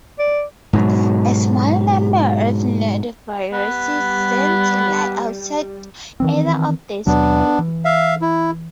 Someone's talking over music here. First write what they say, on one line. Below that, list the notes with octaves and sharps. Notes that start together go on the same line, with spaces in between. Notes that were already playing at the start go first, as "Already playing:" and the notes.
A small number of nodoviruses seem to lie outside either of these clades.
D5
G#2 B2 F#3
G3 B3
D#3 E3 C4
D#2 B2 F#3 B3 D4
E3
E5 F5
E4